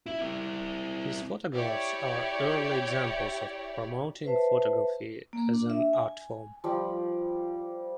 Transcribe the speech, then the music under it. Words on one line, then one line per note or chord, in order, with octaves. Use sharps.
His photographs are early examples of promoting photography as an art form.
E4 E5
C4 E4
E4 G4 C#5 D5
B4 C5 E5 A5
A#3
D4
E5
G#5
F3 G3